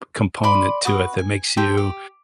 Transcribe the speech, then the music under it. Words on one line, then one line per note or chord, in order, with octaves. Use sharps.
component to it that makes you
D5 B5 C6
F#4 B4 D#6
G#5
G4 A4 C5 G5
G4